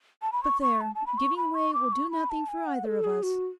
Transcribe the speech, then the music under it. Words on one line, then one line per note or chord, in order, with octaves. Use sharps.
But there; giving way will do nothing for either of us.
A5
B5
C#6
C#6
A5
A5
B5
C#6
B5
C#6
D6
C#6
B5
A5
G#5
F#5
A4
G#4
F#4